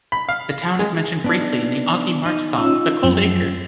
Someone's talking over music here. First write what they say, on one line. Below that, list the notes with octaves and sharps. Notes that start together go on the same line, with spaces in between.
The town is mentioned briefly in the Augie March song The Cold Acre.
B5
F5
G#3
B3 D4 D#4
D#4
C#4 F4 E6
F#2 F3